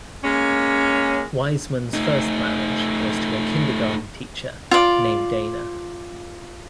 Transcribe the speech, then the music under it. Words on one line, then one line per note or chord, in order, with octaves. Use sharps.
Wiseman's first marriage was to a kindergarten teacher named Dana.
G#3 A#3 C#4
A3 D#4
F4 D5